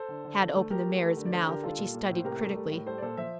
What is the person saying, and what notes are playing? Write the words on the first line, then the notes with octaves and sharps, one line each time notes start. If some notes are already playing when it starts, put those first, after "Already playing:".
Tad opened the mare's mouth, which he studied critically.
Already playing: A4 C5
D3
D3
D3
A3
A3 G4 A#4
A3
A3
D3
D5
D3 A4 C5
D3 G4 A#4
G3 F4 A4
A#2
A#3
A2 C5
C3 G4 A#4
A3
G3
A2
G3 A4 C5
D5
A#2 A4 C5
F3 C5 E5